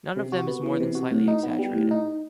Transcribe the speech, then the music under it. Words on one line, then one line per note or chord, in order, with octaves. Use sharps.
None of them is more than slightly exaggerated.
C3
F#4
B3
E3
C3
F#4
A2
D#4
B3
G3
A2
D#4